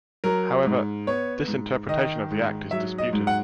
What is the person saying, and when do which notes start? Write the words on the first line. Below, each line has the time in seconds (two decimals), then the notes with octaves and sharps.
However, this interpretation of the Act is disputed.
0.24 F#3 A#4
0.66 G#2
1.07 B3 C#5
1.47 G#2
1.89 D#3 D#5
2.31 G#2
2.71 F#3 E5
2.98 D#5
3.13 G#2
3.27 F#5